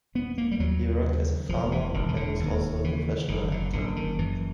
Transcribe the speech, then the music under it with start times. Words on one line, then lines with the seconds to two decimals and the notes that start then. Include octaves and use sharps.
He worked as a farmer, and was also a professional actor.
0.15 E1 B3
0.38 A#3
0.51 G3
0.59 D#2 F#3
1.05 C#3
1.49 E1 F3
1.72 E3
1.94 E1 D#3
2.08 D#3
2.16 D3
2.40 D#2
2.84 C#3 E3
3.28 F#1 D#3
3.52 D3
3.73 F#1 D3
3.96 D#3
4.19 F#2 E3